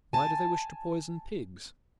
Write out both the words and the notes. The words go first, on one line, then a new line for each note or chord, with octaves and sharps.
"Why do they wish to poison pigs?"
G#5 A5